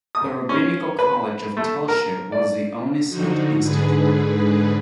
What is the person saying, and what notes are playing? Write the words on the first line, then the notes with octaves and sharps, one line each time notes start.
The Rabbinical College of Telshe was the only such institute.
D#6
C#4
B4
A3
A#4
D5
D3 F3 D#4 F#4
G#2 D3 G#4 B4